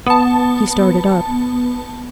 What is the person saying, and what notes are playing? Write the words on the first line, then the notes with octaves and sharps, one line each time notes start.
He started up.
B3 A5